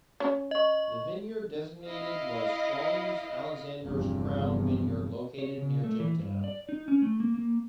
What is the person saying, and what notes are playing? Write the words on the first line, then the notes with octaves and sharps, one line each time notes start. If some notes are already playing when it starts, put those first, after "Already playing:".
The vineyard designated was Strong's Alexander's Crown vineyard located near Jimtown.
C#4 C#5
D#5 C#6
E4 D#5 F5
G1 E2 G2 C3 F3
C#5
C#3
A3
E3
G2
D5
D#4
C#4
A3
A#3
A#3